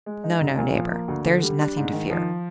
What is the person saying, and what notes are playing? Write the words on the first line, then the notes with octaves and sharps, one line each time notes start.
No, no, neighbor, there's nothing to fear!
G#3
D#4
C2
A#2
F3
A#3
D2
D3
G3
D4
G#2
D#3
F3